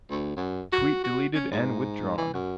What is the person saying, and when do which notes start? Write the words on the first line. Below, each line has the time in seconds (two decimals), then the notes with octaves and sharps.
Tweet deleted and withdrawn.
0.10 D2
0.36 F#2
0.73 F#4
1.04 F#4
1.34 C#4
1.52 G#2
2.18 E3
2.34 F#2